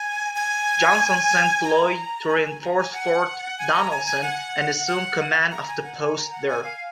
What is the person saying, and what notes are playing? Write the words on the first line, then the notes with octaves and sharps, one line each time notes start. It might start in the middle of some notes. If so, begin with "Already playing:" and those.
Johnston sent Floyd to reinforce Fort Donelson and assume command of the post there.
Already playing: G#5
G#5
A#5
G#5
G#5
A#5
G#5
F#5
G#5
A#5
G#5
G#5
F#5
F#5
A#5
G#5
F#5
G#5
A#5
F#5
G#5
F5